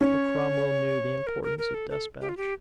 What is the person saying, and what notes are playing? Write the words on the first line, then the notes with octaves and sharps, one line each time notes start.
But Cromwell knew the importance of despatch.
C#4 C#5
A#4
A#4
A#4
A4
A4
G4
F4
G4